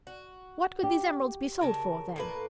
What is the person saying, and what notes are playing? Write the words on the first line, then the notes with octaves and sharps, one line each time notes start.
"What could these emeralds be sold for, then?"
F#4
G4
C#3 A#4 A5
A2 A#3 B4